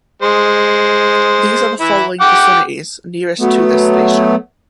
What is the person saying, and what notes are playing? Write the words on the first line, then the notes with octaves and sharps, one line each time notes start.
These are the following victinities nearest to this station.
G#3 C5
E3 E4
F#5 G5 D6
F#3 A3 B3